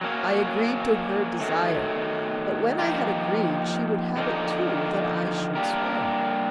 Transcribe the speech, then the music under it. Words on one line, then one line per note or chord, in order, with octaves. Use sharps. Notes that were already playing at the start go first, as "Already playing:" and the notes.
I agreed to her desire; but when I had agreed, she would have it, too, that I should swear.
F#3 A#3 C#4
D#3 F#3 A3
F3 A#3 D#4 G4
D3 F3 A#3 D#4
G3 A#3 D4 G4 A#4